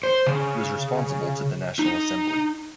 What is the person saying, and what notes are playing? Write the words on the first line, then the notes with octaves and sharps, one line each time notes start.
He was responsible to the National Assembly.
C5
C#3
D#4